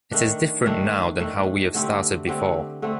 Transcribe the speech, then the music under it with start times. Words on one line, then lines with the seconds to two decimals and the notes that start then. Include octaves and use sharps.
It is different now than how we have started before.
0.12 D#3 A3 D4
0.66 D#3 A3 D4
1.20 D#3 A3 D4
1.75 D3 A3 C4 G4
2.27 D3 A3 C4 G4
2.82 D3 A3 C4